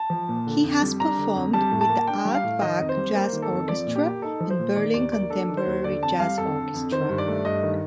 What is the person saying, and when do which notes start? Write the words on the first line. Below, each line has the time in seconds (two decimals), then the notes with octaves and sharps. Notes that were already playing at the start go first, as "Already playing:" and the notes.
He has performed with the Aardvark Jazz Orchestra and Berlin Contemporary Jazz Orchestra.
Already playing: A5
0.10 F3
0.29 A#2
0.47 D3
0.64 F2
0.82 G3
1.00 D4 A#5
1.18 D3
1.35 F2
1.53 G3 A5
1.72 A2
1.81 A5
1.89 A#3
2.07 D4 G5
2.25 G3
2.35 F5
2.44 A2
2.61 D#3 D#5
2.79 F2
2.89 C5
2.97 G3
3.15 A#3 C5
3.33 D#3
3.42 A4
3.51 F2
3.68 F3 D5
3.87 A#2
3.96 G4
4.05 A#3
4.22 D#4 A4
4.40 F3
4.50 C5
4.59 A#2
4.76 D#3 D5
4.94 D#2 D5
5.12 A#3 D5
5.30 D4 A4
5.49 D#3
5.57 C5
5.67 D#2
5.84 D3 D5
6.03 F2 A5
6.20 G3 F5
6.38 F2 A4
6.56 D3
6.74 F2
6.91 D#3 C5
7.09 G2
7.18 D5
7.28 A3
7.45 G2 D#5
7.63 D#3